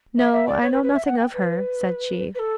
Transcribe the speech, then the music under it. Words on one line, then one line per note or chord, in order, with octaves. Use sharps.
'No, I know nothing of her,' said she.
E5
E5
D5
C#5
B4
B4
E5
F#5
G5
B4
B4
A4